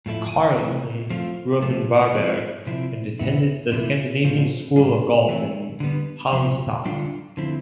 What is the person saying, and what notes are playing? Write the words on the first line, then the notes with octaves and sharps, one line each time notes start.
Carlsson grew up in Varberg and attended the Scandinavian School of Golf in Halmstad.
A2 F3 A3 E4
C3 E3 A3
F3 A3 C4 F4
C3 F3 A3
F3 C4 E4
C3 F3 C4 E4
E3 B3 E4
C3 E3 A3 E4
A2 F3 C4 F4
A2 G3 D4 F4
E3 A3 C4 E4
D3 G3 B3
C3 F3 C4
D3 G3 D4 F4
D3 F3 C4 E4